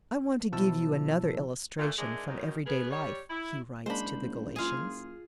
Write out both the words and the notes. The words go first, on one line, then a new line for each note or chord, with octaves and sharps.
"I want to give you another illustration from everyday life," he writes to the Galatians.
B2 F3 E4 A5 E6
A#2 A3
G#2 G#3 A3 D4 A#4 D5
F#2 D#3 F#3
B3 G#4 A#4 B4
G3 C#5
E4
F#1 G#3 A#3 D4 C5 B5
F4 G#4 F5 G#5